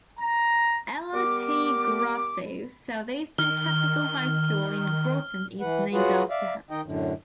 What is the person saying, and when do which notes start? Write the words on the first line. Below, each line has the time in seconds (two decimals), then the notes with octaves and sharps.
Ella T. Grasso Southeastern Technical High School in Groton is named after her.
0.18 A#5
1.13 G3 B3 A#4 D6
3.38 D#3 F6 G7
5.61 E3 B4 F#5
5.93 F#3 F4 F#4 G#4 B4 F#5
6.30 D5 E5 F5
6.70 D#3 D#4 D#5 G5
6.85 F#2 A2 D3